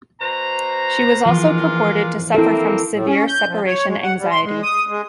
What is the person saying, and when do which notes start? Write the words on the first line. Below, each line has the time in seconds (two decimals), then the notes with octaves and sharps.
She was also purported to suffer from severe separation anxiety.
0.20 B2 C5 A#5
1.26 E3 F3 G#3 A#3 F4
2.35 A#3 C4 E4 A4
2.93 A2
3.07 C#4
3.27 G6
3.47 F3
3.67 C#5
3.87 G#3
4.02 F#5
4.18 G3
4.31 C6
4.44 G#3
4.63 D#6
4.88 G#3